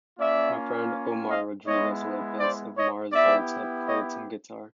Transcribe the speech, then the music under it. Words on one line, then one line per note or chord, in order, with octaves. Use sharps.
My friend Omar Rodriguez-Lopez of the Mars Volta played some guitar.
A#3 C#4 F4 D5 E5
D#5 F5
G#3 B3 E4 C#5 D#5
C5 D5
C#5 D#5
B3 E4 G4 D5 E5
C#5 D#5